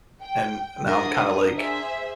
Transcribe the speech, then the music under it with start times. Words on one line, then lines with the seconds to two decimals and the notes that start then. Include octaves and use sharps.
and now I'm kinda like,
0.23 G5
0.87 D4 E4 F#4 A#4 D#6
1.59 G#4 C5 E5